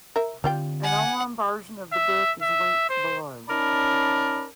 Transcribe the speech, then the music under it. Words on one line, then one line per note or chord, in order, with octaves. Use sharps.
An online version of the book is linked below.
A#4 E5
D3 G3 C4 F4 G5
F#5 G#5
E5
E5
C5
C#4 D#4 A#4 D5 A5 B5